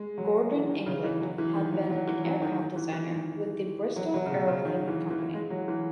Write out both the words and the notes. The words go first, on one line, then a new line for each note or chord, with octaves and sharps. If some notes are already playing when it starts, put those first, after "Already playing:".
Gordon England had been an aircraft designer with the Bristol Aeroplane Company.
Already playing: G#3
F#3
E3
D#3
C#3
E3
F#3
E3
D#3
F#3
F#3
E3
F#3
D#3
D#3
E3
E3
D#3
F#3
F#3
C#3
B2
C#3
D#3
E3
E3
G#3
F#3
E3